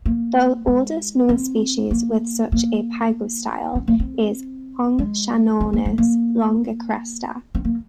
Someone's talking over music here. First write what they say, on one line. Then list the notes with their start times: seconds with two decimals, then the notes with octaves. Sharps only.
The oldest known species with such a pygostyle is "Hongshanornis longicresta".
0.06 A#3
0.67 G#3
1.29 C4
1.91 A#3
2.52 A#3
3.75 C4
3.88 A#3
4.00 C4
4.99 G#3
5.60 C4
5.73 A#3
5.86 G#3
5.98 A#3
7.55 C4
7.65 A#3